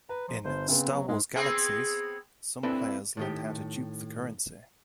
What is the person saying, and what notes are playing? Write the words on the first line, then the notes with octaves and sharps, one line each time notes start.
In "Star Wars Galaxies" some players learned how to dupe the currency.
B4 A#5
F3
G1 C5
C#3 B3 C4
F#3
G#2 G#3
B3 C4 G#4
C4 D4 E4 A4 B4
A2 D#3 G4